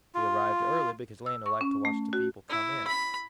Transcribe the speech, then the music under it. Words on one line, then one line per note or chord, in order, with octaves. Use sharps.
We arrived early, because Lena liked to watch the people come in.
F4
E6
C#6
C#4
A3
F#4
E4
B5